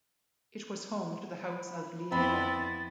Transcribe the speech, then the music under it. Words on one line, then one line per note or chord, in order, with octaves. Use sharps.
It was home to the house of Leiva.
B5
F2 B3 C4 E4 B5 A6